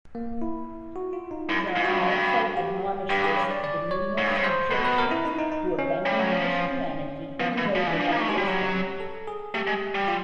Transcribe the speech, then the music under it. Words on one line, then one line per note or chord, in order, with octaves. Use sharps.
John also admonishes the numerous Egyptians who abandoned Christianity in favor of Islam.
A#3
E4
F#4
F4
D#4
F#2 E4
F4
G#2
G2 F#4
F#2
G2
G4
G2 G4
G#4
C#5
D5
D5
C#5
G#2 C#5
G2
G#2
C5
B2 B4
B4
A#4
E4
D#4
D#4
D#4
C#4
G3 C#4
F#3
F3
F3 B3
E3 A#3
G#3
F3
E3
D4
F3
A#3 D#4
A3
G#3 G4
G3
F#3
A4
G#4
A3 G4
G#3
G3
F4